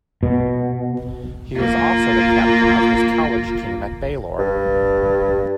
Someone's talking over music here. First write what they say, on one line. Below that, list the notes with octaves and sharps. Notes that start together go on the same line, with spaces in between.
He was also the captain of his college team at Baylor.
B2
A#3 F4
G2